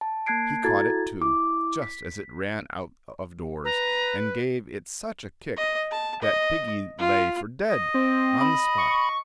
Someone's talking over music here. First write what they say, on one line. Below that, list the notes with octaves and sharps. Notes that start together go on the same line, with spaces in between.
He caught it, too, just as it ran out of doors, and gave it such a kick that piggy lay for dead on the spot.
A5
A#3 A5 F#6 G#6 C7 D7
E4 F#4 A4 A#5 G#6 A6
E4 D6
B6
B4 A#5
D#5
A5
D#5
F4
D#5
C4
B5
C#6